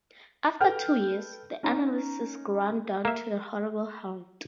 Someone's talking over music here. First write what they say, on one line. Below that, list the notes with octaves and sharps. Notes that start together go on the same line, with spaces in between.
After two years, the analysis ground down to a horrible halt'.
A4 B4 G5 F6 G6
C#4 D#4 A#5
A#3 E5